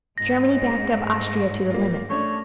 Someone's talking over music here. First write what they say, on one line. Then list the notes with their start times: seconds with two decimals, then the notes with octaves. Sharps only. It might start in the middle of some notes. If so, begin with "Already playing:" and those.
Germany backed up Austria to the limit.
0.18 G#2 A#6
1.70 A#3 F4
2.10 A3 C#4 D4 C#5